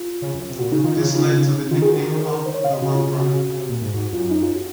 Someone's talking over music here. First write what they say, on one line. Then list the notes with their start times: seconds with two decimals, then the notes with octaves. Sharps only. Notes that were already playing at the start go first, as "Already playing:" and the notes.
This led to the nickname of the Roadrunner.
Already playing: F4
0.22 C#3
0.34 F#2
0.50 C3
0.59 A#2 F#4
0.71 C#3 D#4
0.84 D#3 F4
0.96 C#3 D#4
1.15 F4
1.33 D#4
1.71 D#3 F4
1.82 G#4
1.89 F#4
2.07 G#4
2.20 A#4
2.32 A#4
2.46 C5
2.54 C#5
2.64 F5
2.72 D#5
2.82 C#3 F#4
2.94 C#3 F4
3.07 C#3 F4
3.19 F#4
3.49 C#3
3.57 C3
3.69 A#2
3.81 G#2
3.94 G#2 F#4
4.12 F#2 F4
4.31 D#4
4.43 F4
4.56 F#4